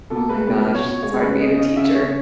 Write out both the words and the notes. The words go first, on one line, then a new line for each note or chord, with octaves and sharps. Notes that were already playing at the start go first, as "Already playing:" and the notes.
Oh my gosh, it's hard being a teacher.
B2 A4
G#3 B4
B2 B4
B2
C#5
B2
G#3 C#5
C#3 B4
C#3 D#5
C#3 D#5
C#3 E5
C#3 C#5